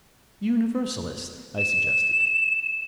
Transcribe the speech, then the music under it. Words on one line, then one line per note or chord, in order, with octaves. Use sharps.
"Universalist?" I suggested.
E7